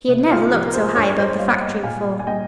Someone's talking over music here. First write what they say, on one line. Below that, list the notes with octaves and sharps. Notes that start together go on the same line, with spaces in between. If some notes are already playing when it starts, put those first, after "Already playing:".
He had never looked so high above the factory before.
C3
F4
F3 G4
A#4
G#4 C5
G2 A#4 C#5
C#5
C5 D#5
D#5
G3 C#5 F5
D#5 G5
A#2 F5 G#5
G#5
G3 D#5 G5